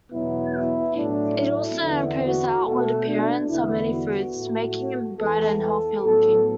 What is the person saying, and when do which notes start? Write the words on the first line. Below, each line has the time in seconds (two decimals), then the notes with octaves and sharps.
It also improves the outward appearance of many fruits, making them brighter and healthier-looking.
0.12 E2 B2 F#3 B3 E4
0.54 E4
0.95 A2 F#3 A3 D4
1.38 E4
1.80 E2 D3 B3
2.22 F#4
2.64 B2 A3 A4
3.06 D4
3.49 E2 D3 B3 E4
3.91 F#4
4.33 A2 A3
5.17 E2 E3 B3 A4
5.59 A4
6.01 A2 F#3 B3 A4